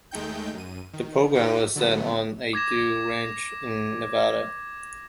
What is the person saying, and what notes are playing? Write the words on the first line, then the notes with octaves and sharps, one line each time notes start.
The program was set on a dude ranch in Nevada.
D#2 G#3 A3 D#4 G5 G6
F#2 D#7
D#3
D#4 F#4 G4
D3 F#3 A3 B3
D6 G#6 A#6 E7